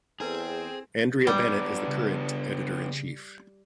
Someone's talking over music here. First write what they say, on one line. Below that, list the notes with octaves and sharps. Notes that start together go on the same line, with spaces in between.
Andrea Bennett is the current editor-in-chief.
E2 C4 E4 G#4 A4 B4
G3 B3 D4
C#3